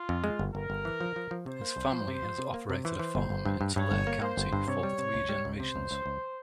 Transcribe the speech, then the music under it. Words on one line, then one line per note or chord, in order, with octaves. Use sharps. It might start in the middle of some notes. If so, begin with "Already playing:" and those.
His family has operated a farm in Tulare County for three generations.
Already playing: F4
F2
G#3
G1
G1 A#4
G1
E3
F3
F3
F3
C3 C5
A#3
C2
F3
C3
F3
C3
A#3
C3
E3 C5
E3
G1
G1
G2
G2
G2 C#5
G1
A#3
A#3 C5
G1
G2
C3 C#5
G3
C3
C#2
G3
C#2
C3 C5
C#2
C#2
C#2